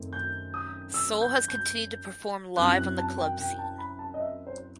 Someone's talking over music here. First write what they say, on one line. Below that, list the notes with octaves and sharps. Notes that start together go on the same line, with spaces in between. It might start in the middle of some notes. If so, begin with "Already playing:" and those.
Soul has continued to perform live on the club scene.
Already playing: F#2 D#3 A3 C4
G6
D#6
E6
G6
G6
F#2 F#3 C4 E4 F#6
F#6
A5
G5
G5
G5
A5
B5
A5
D#5
E5
C5